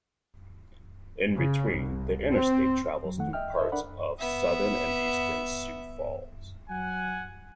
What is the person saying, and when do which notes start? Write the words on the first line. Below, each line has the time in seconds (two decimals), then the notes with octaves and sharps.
In between, the interstate travels through parts of southern and eastern Sioux Falls.
1.35 C#3
1.72 C2
2.33 C4
3.05 F#3
3.18 F2 D#3 A3 F#5
3.33 D#5 E5 G5 F6
3.58 A4 C5 D#5 E5
3.72 D4 A#4 D5 F#5 B5
4.19 B3 E5
6.70 F#3 F#5 G#5